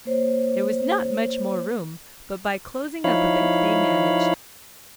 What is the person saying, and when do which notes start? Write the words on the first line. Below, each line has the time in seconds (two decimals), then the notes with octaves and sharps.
There was not much more room, but by closing up a bit they managed....
0.05 A#3 C5 C#5
3.04 F3 D#4 E4 C#5 F5 B5